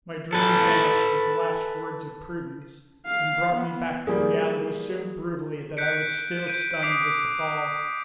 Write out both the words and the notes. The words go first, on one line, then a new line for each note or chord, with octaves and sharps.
My dream vanished at the last words of Prudence, and brought me back to reality so brutally that I was still stunned with the fall.
A4 B4
F5
B3
F3 G3 A#3 G#4
F#6 G6 B6 C#7 D7
G6 D7 D#7
D6 D#6 B6 C7 D7